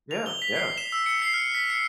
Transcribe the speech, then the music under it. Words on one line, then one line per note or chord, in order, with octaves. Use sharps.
Yeah, yeah.
F7
G7
B6
C7
E7
E6
C#7
C7
F6
B6
C#7